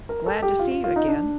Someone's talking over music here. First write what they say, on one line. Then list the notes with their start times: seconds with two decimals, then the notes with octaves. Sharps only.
"Glad to see you again."
0.09 A#4
0.26 A4
0.42 G4
0.59 F4
0.71 F4
0.84 F4
0.96 D#4
1.08 D4